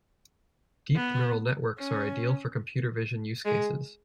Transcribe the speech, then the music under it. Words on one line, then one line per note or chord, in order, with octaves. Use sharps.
Deep Neural Networks are ideal for computer vision use cases.
B3
C#4
G#3